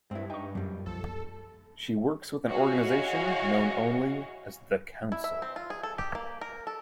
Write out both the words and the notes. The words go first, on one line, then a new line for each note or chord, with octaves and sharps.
She works with an organization known only as "The Council".
G2 G#3 C4 E4
D#4 G5 C#6
F#2 A#2 G3
B1 F3 A4
E4 F#4 G#4 C#5 D#5 F5
E4
E5
C4
F4
G#4
A4
G4
A#3
A#4
A4